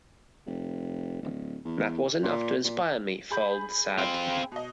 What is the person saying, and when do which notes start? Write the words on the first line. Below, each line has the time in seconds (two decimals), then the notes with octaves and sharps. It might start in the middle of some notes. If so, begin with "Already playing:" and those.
"That was enough to inspire me", Fuld said.
0.46 F1
1.22 D1
1.65 E2
2.23 A#2
2.64 A#2
3.31 G#4 B5 G6
3.99 C4 F4
4.52 B2 D#5